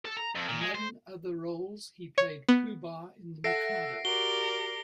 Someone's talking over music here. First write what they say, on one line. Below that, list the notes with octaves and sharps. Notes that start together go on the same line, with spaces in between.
Among other roles, he played Pooh-Bah in "The Mikado".
A4
A#5
F2
A#2
G#3
C5
C#5
B3
A4 E5 F#5 A#6 C7 D7
F#4 G4 A#4 D5 G7